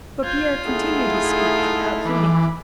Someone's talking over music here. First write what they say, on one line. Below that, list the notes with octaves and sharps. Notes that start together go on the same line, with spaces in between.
But Pierre continued his speech without heeding her.
F4 G6 G#6
A3 D#4 E4 G#4 F#5
E3 B5 D6